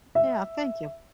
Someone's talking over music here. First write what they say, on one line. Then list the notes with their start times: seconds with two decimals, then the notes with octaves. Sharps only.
Yeah, thank you.
0.15 E5